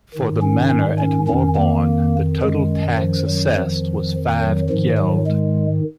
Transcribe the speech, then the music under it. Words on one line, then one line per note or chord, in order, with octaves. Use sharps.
For the manor at Morborne the total tax assessed was five geld.
G#2 D#3
C#4
C#4
F2 D#3 C#4
A#3
F#2 D#3 G#3
F3
F#3
F2 D#3 F3
F#3
G#2 D#3 F3
F#3
G#3